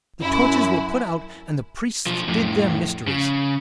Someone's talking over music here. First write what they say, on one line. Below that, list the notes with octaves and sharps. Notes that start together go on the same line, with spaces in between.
The torches were put out and the priests did their mysteries.
F#2 E4
B1 F3
F2 A2
C#3